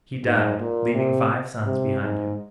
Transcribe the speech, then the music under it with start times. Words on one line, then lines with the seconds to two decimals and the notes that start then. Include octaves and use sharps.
He died, leaving five sons behind him.
0.23 G#2
0.59 A#2
0.94 C3
1.65 C3
2.00 G#2